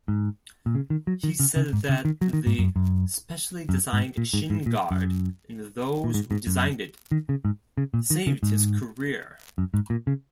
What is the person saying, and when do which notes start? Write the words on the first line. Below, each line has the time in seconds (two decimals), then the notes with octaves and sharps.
He said that the specially-designed shin-guard and those who designed it "saved his career".
0.08 G#2
0.66 A#2
0.75 C#3
0.90 D#3
1.07 F#3
1.24 D#3
1.40 C#3
1.56 C#3
1.73 G#2
1.89 C#3
2.05 D#3
2.21 F#3
2.33 D#3
2.46 G#2
2.59 F#2
2.76 F#2
3.69 F#2
3.93 G#2
4.17 A#2
4.34 G#2
4.50 G#2
4.66 A#2
4.91 F#2
6.04 A#2
6.14 G#2
6.31 G#2
6.47 F#2
7.12 D#3
7.29 C#3
7.45 G#2
7.78 C#3
7.94 A#2
8.10 D#3
8.27 C#3
8.43 G#2
9.58 F#2
9.74 G#2
9.90 A#2
10.07 C#3